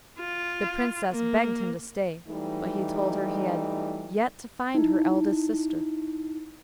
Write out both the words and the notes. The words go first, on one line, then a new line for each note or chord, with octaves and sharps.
The Princess begged him to stay; but he told her he had yet to find her eldest sister.
F4
A#3
E3 F#3 G3 A3 D#4
D#4 E4